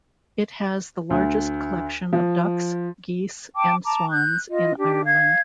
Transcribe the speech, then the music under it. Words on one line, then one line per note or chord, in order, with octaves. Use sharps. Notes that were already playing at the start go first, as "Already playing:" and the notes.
It has the largest collection of ducks, geese and swans in Ireland.
D2
F3
G5 A5 D6
A5 A#5 D6
F#6 G6
F4 D#5
D4 G4
F5 G#6